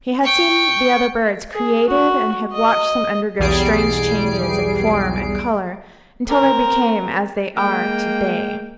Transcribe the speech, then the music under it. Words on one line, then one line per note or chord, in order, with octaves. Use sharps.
He had seen the other birds created, and had watched them undergo strange changes in form and color until they became as they are to-day.
G5 C#6
G#4
F#4
D#5
B1 E2 G3 G#4 C7 D7
C4 A#4
G#3 A#3 G5